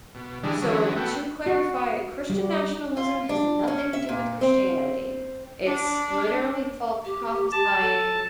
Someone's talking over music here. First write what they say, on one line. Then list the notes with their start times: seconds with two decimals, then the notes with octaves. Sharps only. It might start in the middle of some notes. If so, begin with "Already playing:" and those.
So, to clarify, Christian nationalism has nothing to do with Christianity, it's literally false prophesying
0.15 B2
0.43 D3 E3 G3 G#3 D4
0.62 D3 E3 F#3 G#3 C#4
0.96 A3 B3 F#4 G5
1.46 F#4
2.30 G3
2.97 F4
3.29 D4
3.68 C#4
3.93 E5
4.09 A#2
4.41 C4
5.66 D4
7.05 G4
7.52 A5
7.81 A4